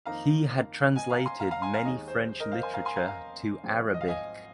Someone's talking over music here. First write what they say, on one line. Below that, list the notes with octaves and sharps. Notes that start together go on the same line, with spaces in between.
He had translated many French literature to Arabic.
F2 D#3 A#3 D#4 F5 A#5
D#5 G#5
F5 A#5
G#5 C6
F5 A#5
F5 A#5
G#5 C6
F5 A#5
D#2 D#3 G#3 D#4 D#5 G#5
C5
C5
A#4 D#5
C5 F5
G#5 C6
F5 A#5
G#5 C6
F5 A#5
F5 A#5
G#1 G#2 F3 C4
D#5
F5
D#5 G#5